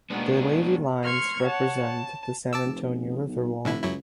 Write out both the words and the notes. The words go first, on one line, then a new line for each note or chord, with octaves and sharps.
The wavy lines represent the San Antonio River Walk.
D#2 B2 G#3 B3 D4
C6 C#6 F6 G#6
C#5 F#5 A5
A5
A5 D6 E6
F1
B1
F1 A2 D3 E4
C#2 F#2 F#3 E4